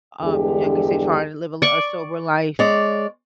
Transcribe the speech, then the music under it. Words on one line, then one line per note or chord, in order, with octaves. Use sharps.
um, like I said, trying to live a li a sober life."
E2 G2 D3 G#3 G4 G#4
D5 C#6
G#3 C#5 D5